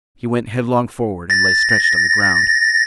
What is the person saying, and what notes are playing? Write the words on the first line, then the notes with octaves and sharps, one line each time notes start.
He went headlong forward and lay stretched on the ground.
A6 A#6